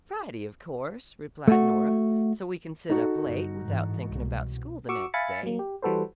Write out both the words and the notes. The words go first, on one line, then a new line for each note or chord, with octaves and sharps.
"Friday, of course," replied Nora, "so we can sit up late without thinking about school the next day."
A3 F#4
D#4 F#4 A4
G1
G#2 E3
C2 B2
F#4 C#6 D6 E6
E5 F5 G#5 B5 A6 C#7
F#3 A#3
G4
E3 G3 F#4 A4 B4 C5